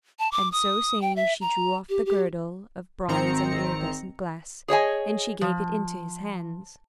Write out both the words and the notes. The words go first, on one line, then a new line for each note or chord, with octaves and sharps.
And so saying she drew off the girdle of bronze and iridescent glass, and she gave it into his hands.
A5
D6
D#6
G5
E5
A#5
G4
G4
G#1 D#3 C4 A#5 C#7
G#4 C#5 D#5 G#5
F3